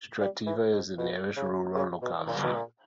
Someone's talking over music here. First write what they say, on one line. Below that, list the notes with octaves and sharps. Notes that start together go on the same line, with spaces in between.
Strativa is the nearest rural locality.
G3
E3
G#2
B2
C#3
C#3
B2
A#2
B2
A#2